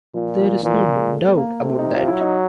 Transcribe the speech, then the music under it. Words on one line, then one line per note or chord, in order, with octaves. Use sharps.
There's no doubt about that.
A#2 F3
F3
A#2 E3
F3
G#3
A3
B3
A#3
C3 A3
D#4
F4
F#3 E4
D#4